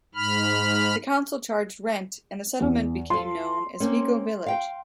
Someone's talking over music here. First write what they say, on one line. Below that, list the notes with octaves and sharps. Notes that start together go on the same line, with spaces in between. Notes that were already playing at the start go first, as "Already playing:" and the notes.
The council charged rent and the settlement became known as Vigo Village.
G#2 B5 F6
E2
F4 A4 C6
A#3 C4 C#4
F5 G5